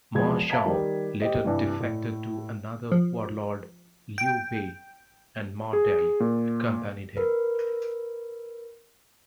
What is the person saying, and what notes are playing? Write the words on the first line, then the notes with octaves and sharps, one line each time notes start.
Ma Chao later defected to another warlord Liu Bei, and Ma Dai accompanied him.
E1 F3 G#3 B3 G#6
E5 F5 A5 A#5 G#6 B6
D#3 G3 G4
G4 C5 D#5
G2 C3 E3 G3
A2
F3
G5
G#4
A#2
A#4 B4